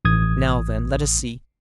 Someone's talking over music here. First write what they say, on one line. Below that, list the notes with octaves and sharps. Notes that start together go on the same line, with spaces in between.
Now, then, let us see.
A1 D#6 G#6